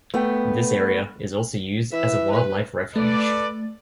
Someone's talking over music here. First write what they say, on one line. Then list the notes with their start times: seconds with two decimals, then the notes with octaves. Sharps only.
This area is also used as a wildlife refuge.
0.14 A3 B3 G5
1.92 E3 E5
2.31 B4
2.96 A3 A4 B4 D5